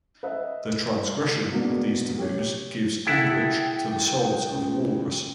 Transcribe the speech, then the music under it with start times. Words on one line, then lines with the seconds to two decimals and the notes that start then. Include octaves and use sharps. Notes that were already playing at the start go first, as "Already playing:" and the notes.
The transgression of these taboos gives umbrage to the souls of walrus.
0.23 B4 D#5 E5
1.52 G#2 B2 A#3 B3 D4
2.18 G4 C#5
3.07 E4 G#4 A4 F#5 G5
4.51 C#2